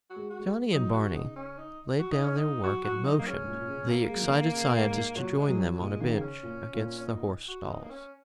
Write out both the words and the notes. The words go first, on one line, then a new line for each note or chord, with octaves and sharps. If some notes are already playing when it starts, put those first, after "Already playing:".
Johnny and Barney laid down their work and motioned the excited scientist to join them on a bench against the horse stalls.
F#4
G#3
F#4
G#3
F#3 D#4
F#4
C#3
D#4
C#4
D#4
F#4
D#4
C#4
D#4
F#3 F#4
F#4
F#3
D#4
F#3 A#3
G#3 C#4
G#2
A#2
A#2
C#3
A#3
G#3
F#3
D#3
C#3
G#2
A#2 F#3
G#3
F#3
F#3
A#2 G#3
D#3 A#3
C#3
C#4
A#2
A#2
C#4
D#4
F#4
D#4
A#3
C#4